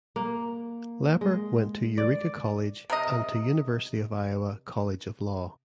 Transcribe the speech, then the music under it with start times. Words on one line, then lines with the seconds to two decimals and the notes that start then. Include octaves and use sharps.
Lepper went to Eureka College and to University of Iowa College of Law.
0.16 A#3
1.21 G#3
1.98 D5
2.90 C3 A#4 D#5